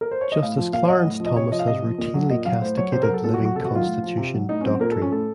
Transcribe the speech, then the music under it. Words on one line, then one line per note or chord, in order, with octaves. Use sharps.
Justice Clarence Thomas has routinely castigated "living Constitution" doctrine.
A#4
C5
C#5
D#5
A2 F5
F3
A#2 F5
C#5
F#3 D#5
A2
F3
D#5
C3 C#5
F3 D#5
F5
C3 D#5
F3
A#2
F#3
A#2 D#5
F#3 F5
A2 C5
F#3 C#5
C3 C5
A#4
F#3
A4
A#2 A4
F#4
F#3
F#4
C3 A4
F#4
D#3 F#3 F4
A2
F3
C3
F#3
A2 D#4
C#4
F#3 C4
A#2 A#4
A4
F3
C#4
A2 A4